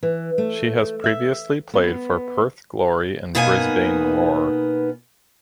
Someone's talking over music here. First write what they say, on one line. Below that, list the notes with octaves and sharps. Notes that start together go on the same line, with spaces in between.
She has previously played for Perth Glory and Brisbane Roar.
E3
A3
E5
B3
B2 A#3 B3 D#4 B4 G#5